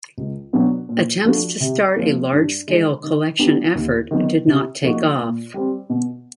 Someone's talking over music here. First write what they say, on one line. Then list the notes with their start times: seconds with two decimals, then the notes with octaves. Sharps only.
Attempts to start a large scale collection effort did not take off.
0.18 C#2
0.53 B2 F#3 B3 D4
0.89 A#2
1.25 F3 A3 D4 F#4
1.60 C3
1.96 F3 A#3
2.32 G2
2.68 D#3 G#3
3.04 D#3
3.39 G3 B3 D4
3.75 D#2
4.11 D#3 F#3 B3
4.47 C3
4.82 F3 A#3 D#4 F#4
5.18 A#2
5.54 G3 C4
5.90 B2